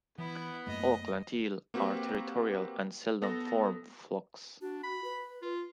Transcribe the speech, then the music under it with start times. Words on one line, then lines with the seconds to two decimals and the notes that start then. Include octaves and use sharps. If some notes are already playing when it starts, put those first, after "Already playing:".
Auckland teal are territorial and seldom form flocks.
0.18 E3 B3 E4
0.67 F#2 A3 A#3 D#5
1.74 A#3 C4 F#4 G4 B4
3.22 B3 A4 A#6
4.61 D4 F#4
4.83 B5
5.04 B4
5.42 F4